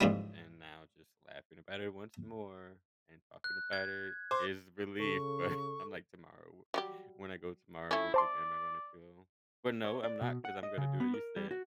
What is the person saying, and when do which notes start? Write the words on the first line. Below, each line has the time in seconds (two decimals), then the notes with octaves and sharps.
and now, just laughing about it once more, and talking about it is relief, but, I'm like, "Tomorrow, wh when I go tomorrow, is it g am I gonna feel?" But, no, I'm not, 'cause I'm gonna do what you said
0.01 F2 G#2 C#3 E3 G3
3.44 F#6
3.73 G#6
4.31 C5 D6
5.00 C#3 A4 C#6
6.74 F#3 G3 G4
7.91 A3 C#4 E4
8.14 C5 D5 A5 C6
9.84 C#5
10.04 D5
10.21 B2
10.45 F#5
10.63 D#5
10.78 C#3
11.00 B3
11.14 A#4
11.36 G3
11.51 F#4